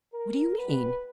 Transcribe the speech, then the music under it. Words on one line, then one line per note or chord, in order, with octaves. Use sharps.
"What do you mean?"
A#4
A#2 G3 B3 B4